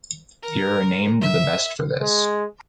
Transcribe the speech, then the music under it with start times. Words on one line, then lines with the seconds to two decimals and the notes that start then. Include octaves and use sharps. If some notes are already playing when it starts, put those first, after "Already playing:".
Here are named the best for this.
0.42 A#4
1.21 E5
2.01 G#3